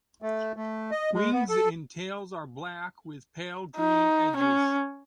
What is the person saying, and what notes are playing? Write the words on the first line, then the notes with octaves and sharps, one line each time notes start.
Wings and tails are black with pale green edges.
A3
A3
D#5
G#3
B3
A4
D#4
C#4